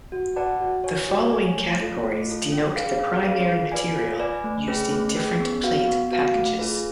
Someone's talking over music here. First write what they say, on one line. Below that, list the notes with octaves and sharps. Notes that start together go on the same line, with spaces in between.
The following categories denote the primary material used in different plate packages.
F#4
B4 D5 F#5 A5
F#4
C#5 G#5
F#4
C#5 G#5
A3
F4 A4
A3
F4 A4
C#4
G#4 B4 F5
C#4
G#4 B4 F5
F4
B4 D5 G#5
F4
B4 D5 G#5
A3
C#4 G#4 B4
A3
C#4 G#4 B4
B3
F#4 B4 F5
B3
F#4 B4 F5
A3
F4 G#4 B4